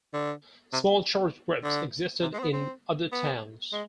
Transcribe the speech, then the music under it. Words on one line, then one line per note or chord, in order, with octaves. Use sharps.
Small church groups existed in other towns.
D3
C3
D3
C3
G#3
C4
B3
C4
B3
G#3